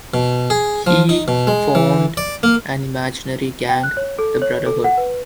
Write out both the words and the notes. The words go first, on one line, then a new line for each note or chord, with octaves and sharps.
He formed an imaginary gang, the Brotherhood.
B2
G#4
F3
D#4
B2
G#3
E3
D5
A#3
G5
F#6
C#5
A4
C#5
A4
F#5
B4